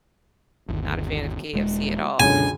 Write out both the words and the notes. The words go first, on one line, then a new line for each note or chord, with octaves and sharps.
not a fan of KFC at all,
G1 D#2
D#1 G#3
C#2 F#2 B2 D3 G#5